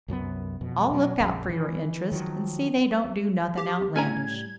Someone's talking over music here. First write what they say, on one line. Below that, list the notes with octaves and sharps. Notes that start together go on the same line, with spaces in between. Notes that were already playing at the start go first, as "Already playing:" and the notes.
I'll look out for your interest and see they don't do nothing outlandish.
C2 F#2 E3 B3
F2 B2
B2 F#3
A#1 F2 C#3
E3
D#3 F3 F#3
G4
A2 G3 C#4 G#5 A#5 G#6